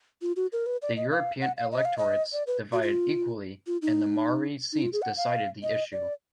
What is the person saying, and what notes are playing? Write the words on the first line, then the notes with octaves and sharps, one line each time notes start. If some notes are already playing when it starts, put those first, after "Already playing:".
The European electorates divided equally and the Maori seats decided the issue.
F4
F#4
A#4
B4
D5
D#5
F5
F#5
F5
D#5
F5
D#5
D5
B4
F#4
F4
F4
D#4
D#4
F4
G#4
F#5
F5
D#5
D5